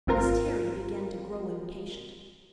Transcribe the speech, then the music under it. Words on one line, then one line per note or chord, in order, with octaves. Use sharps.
Miss Terry began to grow impatient.
G#1 C4 F4 A#4